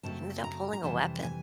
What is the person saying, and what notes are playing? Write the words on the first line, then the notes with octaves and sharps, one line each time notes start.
he ended up pulling a weapon.
F#2 C#3 F#3 A3 C4 A5
A#5
A#5
F2 C3 E3 G3 A5
G#5